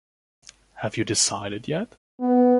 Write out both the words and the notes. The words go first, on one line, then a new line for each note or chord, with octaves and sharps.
Have you decided, yet?
B3